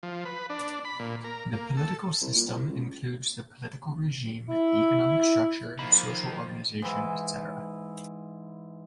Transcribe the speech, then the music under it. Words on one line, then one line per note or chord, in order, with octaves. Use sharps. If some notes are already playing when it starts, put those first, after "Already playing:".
The political system includes the political regime, the economic structure, the social organization, etc.
F3
B4
D4
B5
A#2
A#4
A#3
A4
C2
A#2
C2
C#2
E4
D#3 F3 A#3 B5
G#2 E3